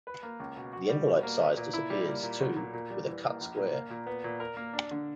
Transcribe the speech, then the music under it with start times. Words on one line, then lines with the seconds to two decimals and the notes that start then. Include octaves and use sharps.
The envelope size disappears, too, with a cut square.
0.07 B4
0.23 A#3
0.40 C#2
0.56 B2
0.73 F#4
0.89 G3
1.07 B2
1.23 A#3
1.40 B3
1.57 A#2
1.73 E4
1.90 G3
2.07 A#3
2.23 A#2
2.40 B1
2.56 A#2
2.73 A#2
2.90 G3
3.07 E3
3.24 A#3
3.41 A#1
3.57 A#2
3.73 A#3
3.90 A#2
4.07 B3
4.24 A#2
4.40 A#4
4.57 A#3
4.73 D4
4.91 D3